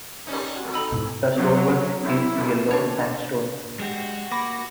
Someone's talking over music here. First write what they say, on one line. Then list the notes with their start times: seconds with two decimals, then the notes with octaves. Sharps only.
The stone work is yellow sandstone.
0.27 G3 C#4 D#4
0.55 C4 F#4 F#5
0.74 D#4 A4 D#5 G5 A#5 B5 E6
0.92 F2 G#2 B2 D4 E4
1.38 F#3
2.03 E4
2.71 D4 C#5
3.79 G#3 F#4 G4
4.31 A#3 B5 D6 A#6